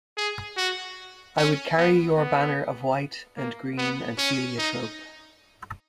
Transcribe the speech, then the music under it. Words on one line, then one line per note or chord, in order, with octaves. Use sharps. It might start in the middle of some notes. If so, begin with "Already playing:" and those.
I would carry your banner of white and green and heliotrope.
G#4
F#4
C#4
B3
B3
A#3
B3
C#4
D#4